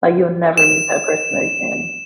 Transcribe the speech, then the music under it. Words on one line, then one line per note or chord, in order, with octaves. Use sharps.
Like, you'll never meet that person again.
E7